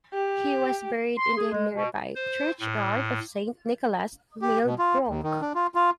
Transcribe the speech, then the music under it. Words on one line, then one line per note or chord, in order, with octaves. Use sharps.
He was buried in the nearby churchyard of Saint Nicholas, Millbrook.
G4
C6
G#4
G#3
B2
C5
A2
G4
B2
F4
D#2
D#3
D4
F4
F4